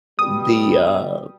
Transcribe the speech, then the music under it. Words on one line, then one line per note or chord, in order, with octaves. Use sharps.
the, uh,
B2 G3 D#6